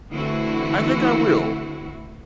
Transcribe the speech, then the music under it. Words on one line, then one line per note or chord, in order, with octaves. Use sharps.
I think I will.
D3 E3 A3 C4 E4 F#4